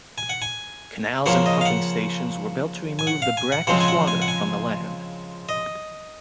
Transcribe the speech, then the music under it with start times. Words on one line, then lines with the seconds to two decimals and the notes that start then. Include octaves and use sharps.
Canals and pumping stations were built to remove the brackish water from the land.
0.18 G#5
0.30 F#5
0.42 G#5
1.26 C#3 F3 A#3 C#4 F#5
1.46 D#5
1.61 F5
1.66 F#5
2.99 G#5
3.07 F#5
3.22 F5
3.37 G#5
3.52 F#5
3.67 C#3 F3 G#3 C4 F#5
3.80 G#5
3.88 F#5
4.08 G#5
4.22 F#5
4.28 G#5
5.49 D#5